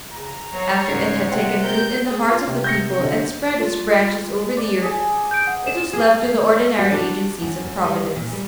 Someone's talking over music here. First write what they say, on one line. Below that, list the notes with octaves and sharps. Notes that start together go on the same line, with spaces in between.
But after it had taken root in the hearts of the people and spread its branches over the earth it was left to the ordinary agencies of Providence.
C#3 A#5
F#3 C#5 C#6 C7
G#2 C#3
C3 A#3 C4 F#5
A#4 G6
G#4
F4
C3
G6 A#6 C#7
D3
F4
D5
G#4 A5
G6 D7
F#5
E7
G#4
F5
F#4
D4
F#2
F#2
G3
A#2
G3